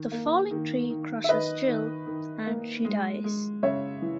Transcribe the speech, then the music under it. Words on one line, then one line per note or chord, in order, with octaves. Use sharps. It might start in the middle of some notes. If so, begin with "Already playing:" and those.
The falling tree crushes Jill, and she dies.
Already playing: D#3
A#3
D#3
D#3
E5
D#3 B4 D#5
D#3
D#3
A#3
G#3
G#3
C#3 C#5 E5
E3